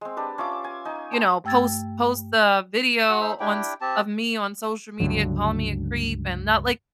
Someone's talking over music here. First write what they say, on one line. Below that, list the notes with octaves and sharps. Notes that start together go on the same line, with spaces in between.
you know, post post the video on s of me on social media calling me a creep and not, like"
G#3 C4
D4 G4 B4
C#4 F4 E5 D6
G#5
D#4 G#5
D4 G5 C6
G2 A3 G5 E6 G#6 A6
F#4 F#5
D#4 C5 E5
D4 E4 G4 G5
C4 G4 A5
C#2 G2 D3 F#3